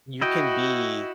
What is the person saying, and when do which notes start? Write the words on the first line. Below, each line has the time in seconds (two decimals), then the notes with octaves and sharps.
you can be
0.21 E4 F#4 D#5 G5